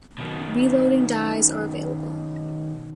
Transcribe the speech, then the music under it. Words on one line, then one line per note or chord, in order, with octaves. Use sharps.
Reloading dies are available.
B2 D#3